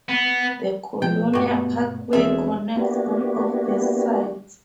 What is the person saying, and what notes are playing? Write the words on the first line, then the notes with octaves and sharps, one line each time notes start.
The Colonial Parkway connects all of these sites.
B3
B2 F3 G5
G2 B2 A3 B3 F#4 G4
E1 C4 D4 G#4 A4 E5
A#3 B3 D4 E4 F#4 G4